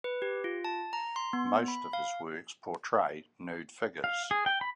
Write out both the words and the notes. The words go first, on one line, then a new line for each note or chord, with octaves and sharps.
Most of his works portray nude figures.
B4
G4
F4
A5
A#5
C6
B3
B5
F5
F5
G#4
G5
B5